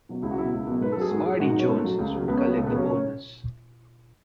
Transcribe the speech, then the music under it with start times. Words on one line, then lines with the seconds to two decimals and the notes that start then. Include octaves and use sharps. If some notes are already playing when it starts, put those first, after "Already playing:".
Smarty Jones's would collect the bonus.
0.09 B2 F#3
0.23 C#2 E4
0.31 F#4
0.37 B2 F#3 E4
0.52 C#2
0.67 B2 F#3
0.81 G#2 B4
0.92 A4
0.97 F#3 G#4
1.11 G#2 F#4
1.26 F#3 G#4
1.40 G#2 F#4
1.50 D#4
1.54 F#3
1.59 C#4
1.69 G#2 A3
1.84 F#3
1.99 C#2
2.13 C#3 F#3
2.28 C#2 B3
2.38 C#4
2.42 C#3 F#3 B3
2.57 C#2 A3
2.67 B3
2.72 C#3 F#3 C#4
2.86 C#4